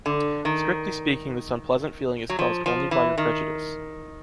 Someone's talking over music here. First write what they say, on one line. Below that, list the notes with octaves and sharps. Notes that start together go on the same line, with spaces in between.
Strictly speaking this unpleasant feeling is caused only by your prejudice.
D3
D#3
F#3
F3
F3
E3
D#3